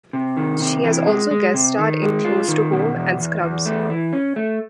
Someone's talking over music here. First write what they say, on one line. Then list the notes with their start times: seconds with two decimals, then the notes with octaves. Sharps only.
She has also guest starred in "Close to Home" and "Scrubs".
0.13 C3
0.37 D#3
0.60 C3
0.83 E3
1.07 G#3
1.31 G#3
1.54 C3
1.78 D#3
2.02 G#3
2.25 F4
2.48 D#3
2.72 B2
2.95 E2
3.19 E2
3.42 E2
3.66 A3
3.90 E3
4.13 C#4
4.36 A3